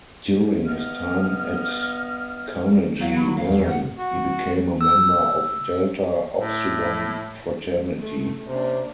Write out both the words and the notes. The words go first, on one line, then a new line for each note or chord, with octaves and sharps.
During his time at Carnegie Mellon, he became a member of Delta Upsilon fraternity.
G2 B3 D#5 F6
F#3 F5
B5
F5
E2
F#5
F#4
E6
A2
A3
C3 A#3 C#4 D4